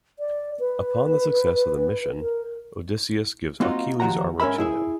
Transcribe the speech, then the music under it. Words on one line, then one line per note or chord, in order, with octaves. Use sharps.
Upon the success of the mission, Odysseus gives Achilles' armour to him.
D5
B4
A#4
A#3 C4 D#4 F4 F#4
D#2 F3 F#4 F#5 A#5
G#2 C#4 A#4 E5 B5
E4 G#4 E5